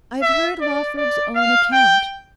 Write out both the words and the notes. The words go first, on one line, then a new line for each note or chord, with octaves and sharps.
I have heard Lawford's own account.
E5
D5
D5
F5
G5